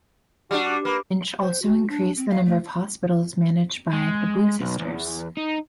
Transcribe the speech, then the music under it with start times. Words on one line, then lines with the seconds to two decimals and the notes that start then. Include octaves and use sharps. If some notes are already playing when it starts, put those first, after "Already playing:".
Lynch also increased the number of hospitals managed by the "Blue Sisters".
0.51 G3 D4 F#4
0.85 A#3 B4
1.41 C5
1.62 F#4
1.89 D4
2.17 C4
2.29 F5
2.45 A3
3.93 G#3
4.60 B1
4.79 E2
5.37 D#4